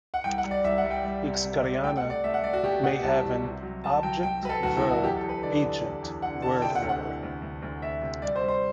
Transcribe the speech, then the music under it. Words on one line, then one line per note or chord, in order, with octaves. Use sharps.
Hixkaryana may have an object-verb-agent word order.
F#5
C2 G5
F#5
G3
D5
C2 E5
F#5
G3
G5
G3
C3
C3
C3
A3 G5
F#5
A3
D5
A3 E5
F#5
A3 D5
F#4
B2 G4
B2 F#5
C2 A5
C2
C3
F#3
C3 A5
F#3 G5
F#3 G5
F#3 B4
A4
D2 F#4
E4
F#3
F#4
E2 G4
A4
E2
B4
D3 D5
E2
E2
E2
D3 F#5
D3 A5
C3 G5
F#5
D2
F#5
E3
D2
D2
D2
D2 E5
C3
G3 D5
C5
G3
C5